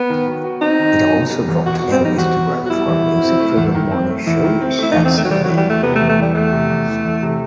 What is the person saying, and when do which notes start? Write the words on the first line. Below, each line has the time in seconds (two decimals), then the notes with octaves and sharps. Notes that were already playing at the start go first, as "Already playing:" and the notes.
It also dropped Elvis Duran for a music-driven morning show that same year.
Already playing: B3
0.10 D#3
0.27 F#3
0.44 F#4
0.62 C4 D#4
0.79 D#3
0.96 F#3
1.14 B3
1.31 G3
1.48 E2
1.66 B2 F#4
1.79 F#4
1.83 B3
1.92 C4
2.01 G3 D#4
2.18 E2 F#4
2.35 B2
2.53 B3
2.66 F#4
2.70 G3 E4
2.88 E2
3.05 B2
3.23 C4
3.40 A3
3.57 E2
3.74 D#3
3.91 C4
4.09 A3
4.27 E2 E4
4.44 D#3
4.61 C4
4.79 A3 E4
4.92 D#4
4.96 E2
5.05 C4
5.14 D#3 A3
5.24 F#3
5.31 E2 G3
5.44 F#3
5.48 E3
5.57 G3
5.66 E2 A3
5.83 C3 B3
5.96 A3
6.01 E2
6.09 A3
6.18 E3 G3
6.35 E2 A3
6.53 C3
6.70 E2
6.87 E3
7.04 E2
7.22 C3